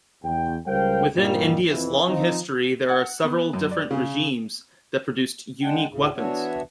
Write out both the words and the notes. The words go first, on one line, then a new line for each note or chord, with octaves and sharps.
Within India's long history there are several different regimes that produced unique weapons.
E2 G5
C#2 G3 A#4 C5 F5 G5
G2 A#2 D#3 G3
F2 E3
D#3 F3 C4 D#4
F#5
B3
F#2
D5
C#3
D3 G#3 D4 F#5 G5
D2 A2 C#3
E3 B3 D4 F#4 C#5 E5